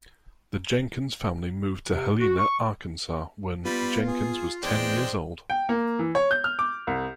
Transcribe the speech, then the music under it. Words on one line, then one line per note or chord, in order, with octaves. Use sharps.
The Jenkins family moved to Helena, Arkansas, when Jenkins was ten years old.
C3
F#4
C#6
G3 B3 F4 B4
G#4
E2 G#3 D4 C5 G5
G5
A#3
E3
C#5
G6
F6
D6
C2